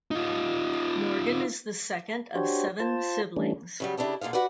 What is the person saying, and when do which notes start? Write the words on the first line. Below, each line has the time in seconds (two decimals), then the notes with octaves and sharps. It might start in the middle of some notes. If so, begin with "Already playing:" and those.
Morgan is the second of seven siblings.
0.11 D#4 F4
2.36 D4 F#4 G4 C5 C#5
2.80 F4 C5 A5
3.37 E3 G3 A3 C#4 D4
3.80 C#3 F#3 G3
3.97 C#3 D4 E4 G4 A4
4.21 A#2 D3 F4 G#4 F5
4.33 F#4 B4 D5 F#5